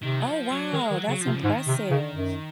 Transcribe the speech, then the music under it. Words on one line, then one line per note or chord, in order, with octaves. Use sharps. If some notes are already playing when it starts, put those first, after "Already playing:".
Oh, wow, that's impressive.
C3 D#3
F#3
F3
F#3
D#3 G#3
D#3
F#3
C#3 F#3
F3
C3
C#3
G#2 D#3
C3
C#3
F#2